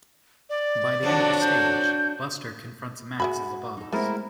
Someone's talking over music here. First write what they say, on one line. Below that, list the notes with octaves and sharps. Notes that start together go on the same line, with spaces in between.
By the end of a stage, Buster confronts Max as a boss.
D5
F2 F3 F#3 D4 F#4
G6
G#3 F#4 E5 B5
D#4 A4
G#3 A3 B3 C4 E4 A#4